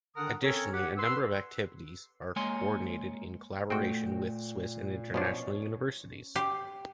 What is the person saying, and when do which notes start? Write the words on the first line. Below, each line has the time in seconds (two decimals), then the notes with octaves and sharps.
Additionally, a number of activities are co-ordinated in collaboration with Swiss and International Universities.
0.16 D3 D#3 D4 A#4 F#5 D#6
0.43 C4 C#4 A4 A#4 C#5
0.73 G4 F#5
0.98 B4 C6 E6
2.36 G#3 A#3 C#5 G#5 C6
3.70 A#2 A3 C4 F#4 G5
5.14 B2 F3 C#4 D4 C#5
6.36 G4